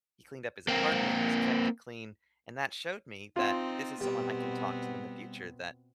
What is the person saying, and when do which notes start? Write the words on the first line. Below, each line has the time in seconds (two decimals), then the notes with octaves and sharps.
He cleaned up his apartment, he's kept it clean, and that showed me that this is someone I can talk to in the future, that
0.68 A#3 C4
3.36 C4 D#4 F4
4.01 B2 G3 B3 C4